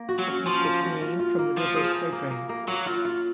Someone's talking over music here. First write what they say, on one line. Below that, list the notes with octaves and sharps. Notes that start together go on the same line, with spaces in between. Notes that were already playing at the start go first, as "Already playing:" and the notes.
It takes its name from the river Segre.
Already playing: A#3
F#4
F#3
C#4
F3 C#4
A#3
F#4
F4
F4
A#3
F3 F4
G#4
A#3
A#3
A#3
A#3
F#3 A#3
F4
F4